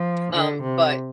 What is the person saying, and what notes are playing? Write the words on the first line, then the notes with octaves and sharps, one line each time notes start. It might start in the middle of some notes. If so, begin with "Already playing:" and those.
Um, but,
Already playing: F3
D3
C3